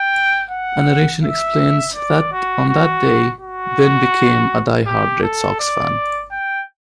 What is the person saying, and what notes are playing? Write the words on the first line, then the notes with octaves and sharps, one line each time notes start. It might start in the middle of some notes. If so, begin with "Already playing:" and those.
A narration explains that on that day, Ben became a die-hard Red Sox fan.
Already playing: G5
F#5
E5
D5
F#4
F#4
F#4
G4
A4
D5
G5